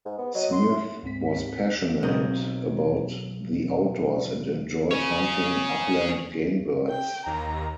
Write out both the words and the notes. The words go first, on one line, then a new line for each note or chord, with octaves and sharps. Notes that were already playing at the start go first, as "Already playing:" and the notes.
Smith was passionate about the outdoors and enjoyed hunting upland game birds.
G#2
B3
F#3 D#5
C6
E4
D2 G#2 C4 B6
B1 F#3 C4 A#4 D#5
G#4 C#5
G5
D#2 A#5